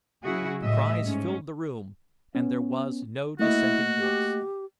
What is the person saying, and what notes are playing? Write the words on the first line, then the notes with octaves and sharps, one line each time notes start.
The cries filled the room and there was no dissenting voice.
C#3 F#3 E4 F#4 G#4
A2 G3 D#5 E5
G#2 C#4
B3 C#4
A3 A#3 E4 F#4 D#5
G4